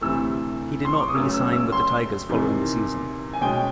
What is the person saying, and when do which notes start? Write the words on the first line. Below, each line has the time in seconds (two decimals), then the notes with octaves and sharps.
He did not re-sign with the Tigers following the season.
0.01 D2 C3 E3 A3 E6
0.85 C6
0.93 C#6
1.00 D6
1.08 D#6
1.15 C#2 C#3 F#3 A3 C#4 E6
1.34 E6
1.53 E6
1.72 C6
2.29 E2 C3 D#3
3.33 G#5
3.41 B2 G#3 C#4 G5